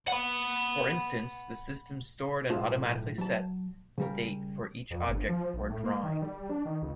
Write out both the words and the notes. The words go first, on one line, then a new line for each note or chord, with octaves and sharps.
For instance, the system stored and automatically set state for every object before drawing.
F#5 B5
B1 A2 F4 G#4 A5
F#3 A5
C#3 G3 A#4
F2
G1
F3
B1
A2
A#3
D#3
G3
D4
D#3
C#2